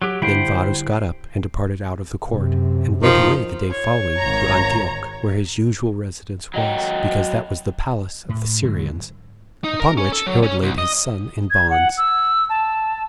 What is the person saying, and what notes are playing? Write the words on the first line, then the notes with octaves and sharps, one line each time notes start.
Then Varus got up, and departed out of the court, and went away the day following to Antioch, where his usual residence was, because that was the palace of the Syrians; upon which Herod laid his son in bonds.
F#3 G4
D3 G3 E4 C5 G5 B5
F#2 C3
D#3 F3
C#5
G#1 A#5
F#3 D#5 G5
A2
G#2 D3 D#3 F#3
D#4
A#4
C#4
A4
F#3
C#4
C2
D#5
G#6
F#5
E6
A5